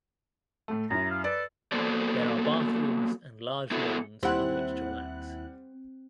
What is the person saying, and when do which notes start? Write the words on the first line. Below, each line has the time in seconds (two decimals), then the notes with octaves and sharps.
There are bathrooms and large lawns on which to relax.
0.68 A2 A3
0.90 F#2 E4 A#5
1.11 F5
1.24 A4 B4 D5
1.72 F#3 A#3 B3 A4 C5 D5
3.71 B3 E4 F#4 A4 E5
4.23 D#2 G3 C4 E4 F#5 F#6